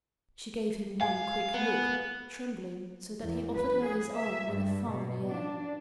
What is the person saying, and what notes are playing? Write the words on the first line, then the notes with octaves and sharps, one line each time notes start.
She gave him one quick look, trembling so that he offered her his arm with a fatherly air.
F5 G#5
B3
E2
B4
G#4
E5
G2
B2
D4